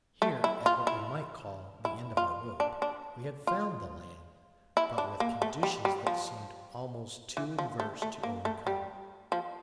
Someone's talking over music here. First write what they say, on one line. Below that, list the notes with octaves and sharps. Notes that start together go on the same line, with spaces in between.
Here, at what we might call the end of our rope, we had found the land, but with conditions that seemed almost too adverse to overcome.
A3
E4
F4
E4
E4
F4
D4
D4
F4
E4
D4
A#3
A3
G3
G3
F3
E3
F3
A3
A3
A#3
A3
G3
F3